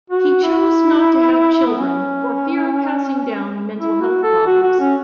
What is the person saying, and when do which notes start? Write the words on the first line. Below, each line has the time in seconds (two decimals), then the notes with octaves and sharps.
He chose not to have children for fear of passing down mental health problems.
0.10 F#4
0.43 E4
1.67 B3
1.77 C#4
3.79 E4
4.01 F#4
4.23 A4
4.47 F#4
4.63 F#4
4.80 C#4